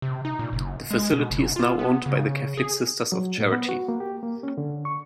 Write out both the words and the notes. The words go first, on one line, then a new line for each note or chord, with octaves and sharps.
The facility is now owned by the Catholic Sisters of Charity.
C3
D#4
A#2
F#1
G#3
B2
F#1
F4
B3
C#3
G#4
F#3
A2
B3
F#4
A#3
G4
A#3
C#4
D3
C#6